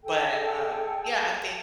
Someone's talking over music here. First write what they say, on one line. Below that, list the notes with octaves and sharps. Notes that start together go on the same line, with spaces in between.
But, um, yeah, I think
G#4 A4 G5 G#5